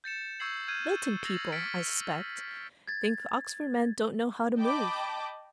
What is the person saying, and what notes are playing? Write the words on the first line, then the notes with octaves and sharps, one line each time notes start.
'Milton people, I suspect, think Oxford men don't know how to move.
G6 A6 C#7 E7
C#6 E6 G6 G#6 C7 F#7
F6 G6 G#6 D#7
E6 A6 A#6 C7 F7 F#7
F6 A6 B6 C#7 D7
G#6 A6
D#5 G5 A5 B5 D6